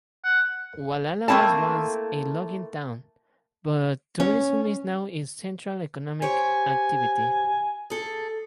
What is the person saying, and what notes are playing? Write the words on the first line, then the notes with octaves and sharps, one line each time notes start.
Gualala was once a logging town, but tourism is now its central economic activity.
F#5
A3 A#3 C4 E4 A5
C#4
G4 C5 C#5 G#5
G#4 A4